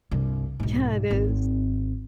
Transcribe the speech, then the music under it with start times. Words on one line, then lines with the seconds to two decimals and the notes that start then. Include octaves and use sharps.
Yeah it is.
0.11 C2 G2
0.60 B1 G#2
1.10 G#1 C4